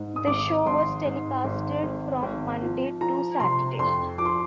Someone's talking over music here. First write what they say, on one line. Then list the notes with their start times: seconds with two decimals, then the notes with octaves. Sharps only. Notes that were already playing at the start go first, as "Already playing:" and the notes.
The show was telecasted from Monday to Saturday.
Already playing: G#2
0.16 D#6
0.27 G#1 D6
0.66 G#1 C6
1.05 G#2
1.45 G#1
1.84 G#1
2.23 G#1
2.62 F3
3.01 F3 A#5
3.40 C3 C6
3.79 F2 C6
4.18 F3 D6
4.25 C6